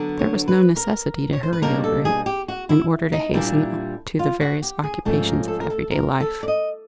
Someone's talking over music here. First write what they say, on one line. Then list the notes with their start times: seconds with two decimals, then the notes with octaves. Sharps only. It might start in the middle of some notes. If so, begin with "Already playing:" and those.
There was no necessity to hurry over it, in order to hasten to the various occupations of every-day life.
Already playing: D3 F#3 B3 D4
0.19 C#5
0.48 B4
0.77 A#4
1.33 C#5
1.43 C5
1.53 B4
1.62 B2 G3 A#3 D4 A#4
1.84 A4
2.05 G#4
2.26 G4
2.48 F#4
2.69 E4
3.12 D#4
3.34 A#2 G3 A#3 D4 E4
4.19 F4
4.41 F#4
4.62 G4
4.84 G#4
5.05 G#2 F3 A3 C#4 A4
5.26 A#4
5.48 A4
5.60 A#4
5.70 A4
5.91 A#4
6.20 A4
6.43 D5
6.48 D#5